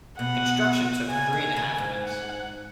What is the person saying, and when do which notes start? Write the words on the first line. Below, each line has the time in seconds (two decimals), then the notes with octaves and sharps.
Construction took three and a half weeks.
0.19 B2 F#5
1.10 C#3 G#5
1.33 D#3
1.56 C#3
1.78 G#2
2.02 F#5